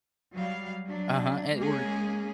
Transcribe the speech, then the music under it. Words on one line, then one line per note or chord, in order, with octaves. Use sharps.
Uh-huh, and or
F#3 G3 F5
F#3 D4
G#3 A#3 C#4 G#4